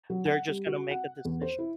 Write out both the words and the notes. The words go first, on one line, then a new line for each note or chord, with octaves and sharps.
They're just gona make a decision
F#3
F#5
G3
F#4
F#5
E2
C5
E4